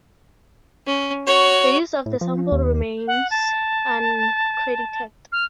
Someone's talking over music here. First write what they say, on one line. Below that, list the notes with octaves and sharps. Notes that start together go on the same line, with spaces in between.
The use of the sample remains uncredited.
C#4
F#4 C#5
A2
F3
D#2
F#5
A5
F6